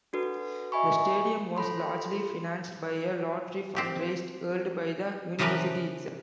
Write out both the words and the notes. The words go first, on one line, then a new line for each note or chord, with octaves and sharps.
The stadium was largely financed by a lottery fund-raiser held by the university itself.
D4 F#4 A4 B4
D#5 E5 G#5 B5 C#6
F4 A4 B5 C6
C4 G4
C#3 E3 F3 G4 A#4 B4